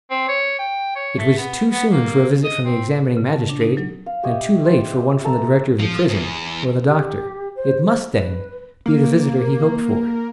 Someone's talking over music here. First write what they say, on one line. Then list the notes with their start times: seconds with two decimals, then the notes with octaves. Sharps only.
It was too soon for a visit from the examining magistrate, and too late for one from the director of the prison, or the doctor; it must, then, be the visitor he hoped for.
0.10 C4
0.29 C#5
0.59 G5
0.95 C#5
1.18 A3
1.38 B3
1.71 B3
1.89 A#3
2.44 D#5
2.65 C4
3.17 C#3
3.33 A5
3.49 D4
3.61 D#4
3.77 F#3
4.06 F5
4.23 G4 C#5 D#5 E5
4.65 C5
5.25 A4 A5 A#5
5.79 F3
6.08 E2
6.87 G4
7.55 C5
8.13 B4
8.86 A#3